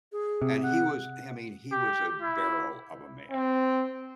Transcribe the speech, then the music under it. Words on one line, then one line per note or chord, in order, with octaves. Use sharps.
And he was I mean, he was a barrel of a man.
G#4
C3
F#5
G4
E4
C4